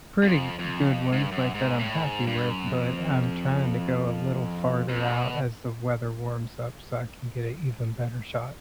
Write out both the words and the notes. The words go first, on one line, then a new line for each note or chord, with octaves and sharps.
pretty n good ones, like, that I'm happy with, but I'm trying to go a little farther out as the weather warms up so I can get a even better shot.
F2
F2
G#2
G2
F#2
G#2
A2
G#2
G2
F#2
F2
F2
B2